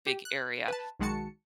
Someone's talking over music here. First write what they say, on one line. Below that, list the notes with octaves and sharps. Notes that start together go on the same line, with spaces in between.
big area,
G4
F#6
B4 A5
B1 D#3 G#3 F#4 A5 C#7